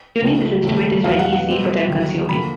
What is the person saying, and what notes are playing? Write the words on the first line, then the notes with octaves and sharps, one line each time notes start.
Tuning this instrument is very easy but time consuming.
C#2 C#3 F3 A3
D#2 C#3 F#3 A3 C4
E2 B2 F#3 F5
F#5
F#5
B2 G3 C4
D#2 D3 F#3
F2 D3 F3 A#3 B5